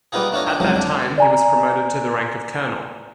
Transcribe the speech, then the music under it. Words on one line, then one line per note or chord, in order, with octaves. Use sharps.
At that time he was promoted to the rank of colonel.
G3 A#3 B3 D#4 F4 G#4
A3 D4 F4 C#5 D#5
D4 D#4
C2 F2 C#3 F3 F#3 G#3
D4
D5 G#5 A#5